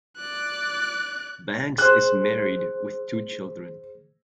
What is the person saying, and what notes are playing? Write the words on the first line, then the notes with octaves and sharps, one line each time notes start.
Banks is married with two children.
D5 F#6
G#4 C5 F#6